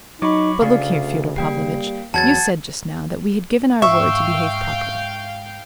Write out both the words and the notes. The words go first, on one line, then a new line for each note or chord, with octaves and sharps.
But, look here, Fyodor Pavlovitch, you said just now that we had given our word to behave properly.
F#3 D#4 B5 C#6 D6
D2 C#3 D5 F5
G3 A#3 G5 C7
E2 F#3 F#5 A5 G#6 A6
G#2 E5 F5 G5 C#6